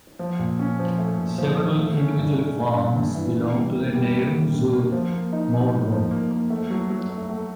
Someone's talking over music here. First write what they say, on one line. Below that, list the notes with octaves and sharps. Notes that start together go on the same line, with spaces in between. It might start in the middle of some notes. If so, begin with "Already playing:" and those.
Several individual farms belong to the Neyruz-sur-Moudon.
F3
A#2
C#4
F3
A3
A#2
F3
F3
A3
C#4
G2
C#4
A3
G2
G2
E3
D3
G3
A#3
G3
A#3
G3
D3
A#3
F3
A#3
D#4
D#4
A#3
F3
A#3
A#3
A3
F#3
F#3
A3
A3